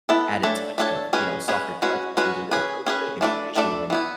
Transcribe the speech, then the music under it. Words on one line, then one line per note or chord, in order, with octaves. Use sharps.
add a touch of, you know, a softer touch in terms of their approach with immigration when,
B3 E4 A4
A3 D4 A4 C#5
A3 D4 A4 C#5
G#3 C#4 G#4 B4
G#3 C#4 G#4 B4
G#3 C#4 F#4 B4
G#3 C#4 F#4 B4
C#4 G#4 B4
C#4 G#4 B4
E3 A3 D4 A4 D5
E3 A3 D4 A4 D5
E3 B3 E4